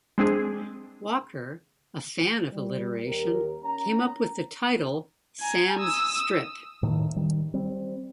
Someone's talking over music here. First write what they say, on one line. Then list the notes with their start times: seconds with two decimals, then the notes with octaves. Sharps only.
Walker, a fan of alliteration, came up with the title "Sam's Strip".
0.18 G#3 C4 D4 G#4
2.51 G3
3.06 D#2 G4 A#4
3.63 C#4 A#5
5.41 G#5 A#5
5.79 D#6 E6
6.83 A2 D#3
7.16 D#3 G3
7.54 G3 C4